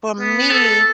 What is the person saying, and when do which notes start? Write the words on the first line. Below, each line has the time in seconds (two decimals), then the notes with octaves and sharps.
for me,
0.20 B3
0.51 A4